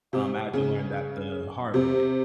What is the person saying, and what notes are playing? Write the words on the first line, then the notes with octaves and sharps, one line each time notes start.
um, I had to learn that the hard way.
C3
C#3
C3